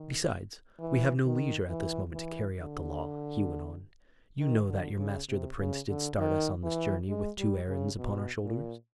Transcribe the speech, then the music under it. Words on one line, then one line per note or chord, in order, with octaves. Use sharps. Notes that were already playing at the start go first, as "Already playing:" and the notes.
"Besides, we have no leisure at this moment to carry out the law," he went on. "You know that your master the Prince did start us on this journey with two errands upon our shoulders."
Already playing: D#3
E3
D#3
E3
E3
D3
D#3
D3
C#3
C3
C#3
D3
D#3
E3
G#3
G3
C#3
B2
A#2